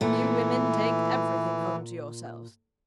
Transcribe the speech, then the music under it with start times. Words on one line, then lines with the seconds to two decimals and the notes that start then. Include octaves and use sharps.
You women take everything home to yourselves.
0.01 A#2 E3 A3 B3